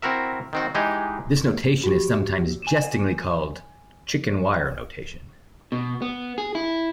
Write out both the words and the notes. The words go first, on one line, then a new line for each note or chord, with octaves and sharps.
This notation is sometimes jestingly called "chicken wire notation".
C4 E4 F#4 A#4 E5
D#3 C4 F#4
E3 G#3 D#4 G4 G#4
F#4 G4
G#5 D#7 E7
B2
B3
G#4
E4